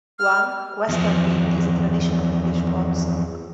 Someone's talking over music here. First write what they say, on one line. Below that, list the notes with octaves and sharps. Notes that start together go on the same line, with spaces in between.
One, "Western Wind", is a traditional English folk song.
F6
E2 F3